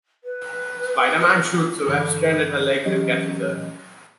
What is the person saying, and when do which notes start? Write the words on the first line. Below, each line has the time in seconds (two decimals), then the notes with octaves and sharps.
Spider-Man shoots a web strand at her legs and catches her.
0.24 B4
1.87 G2 D3 E3 A4 B5 D6
2.85 E3 F#3 C#4 G4 D#5